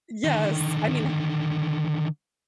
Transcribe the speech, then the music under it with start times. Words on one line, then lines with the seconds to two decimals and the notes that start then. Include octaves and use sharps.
Yes, I mean,
0.24 D3 D#3